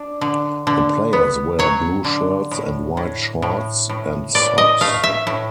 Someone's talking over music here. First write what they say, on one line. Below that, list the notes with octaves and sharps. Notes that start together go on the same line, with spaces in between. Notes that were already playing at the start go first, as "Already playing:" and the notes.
The players wear blue shirts and white shorts and socks.
Already playing: D4
D3
D3
B3
F#3 C#5
D3
A2
A2
A2
A2
A2 D5
D#5
A3 F5
E5
A2